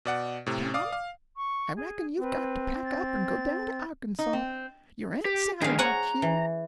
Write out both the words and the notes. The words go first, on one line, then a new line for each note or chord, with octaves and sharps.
"Tom, I reckon you've got to pack up and go down to Arkansaw--your aunt Sally wants you."
B2 D5 F#5
A2 C3
D5 F5 D6 D#6
F5
C#6
G#4
C4 B4
A6
D#4
C4
G4
D#3 D4 G#4 A#4 F5
C#5 F#5 G#5 A#5
E3